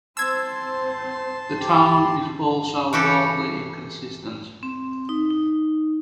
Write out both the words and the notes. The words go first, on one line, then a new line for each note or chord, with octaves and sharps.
The tone is also wildly inconsistent.
C4 C5 A5 C6 E6 G#6
G4
E3 F#4 G4 A4
C4
D#4
D#4